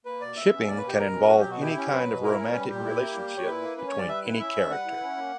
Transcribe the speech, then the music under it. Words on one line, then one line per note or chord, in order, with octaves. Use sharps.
Shipping can involve any kind of romantic relationship between any character.
A#3 B4
B2 D5
B2 E5
C#4
A#3 D5
B2 B4
G4
B2 A#4
C#4
F#3 F#4
G4
B2
F#4
E4 G4
C#4
F#3 B4
B2
E4 A#4
C#4
G3 B4
A#2 G4
E4
A#3
G3
A#2
C#5
E4 B4
A#3
C#4 B4
G3 C#5
D5
B4 E5
E4
C#4 E5
G3
B4 F#5
E4
C#4
A#3